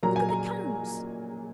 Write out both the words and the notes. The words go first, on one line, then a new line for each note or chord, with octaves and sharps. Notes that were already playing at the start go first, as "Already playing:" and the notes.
Look at the Cones!
A#2 F#3 A#3 A#5
G#5
A#5